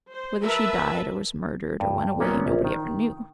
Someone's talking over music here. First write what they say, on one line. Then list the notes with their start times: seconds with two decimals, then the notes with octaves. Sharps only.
Whether she died or was murdered or went away nobody ever knew.
0.11 C5
0.43 A#4 B4 E5 A5
1.80 G2
2.20 A#2 A#3 B3 C#4
2.46 A#1
2.65 D#3